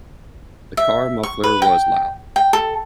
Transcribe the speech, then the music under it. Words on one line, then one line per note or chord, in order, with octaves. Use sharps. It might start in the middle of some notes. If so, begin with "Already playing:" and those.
The car muffler was loud.
E5
C#6
B4
G5
G5
A4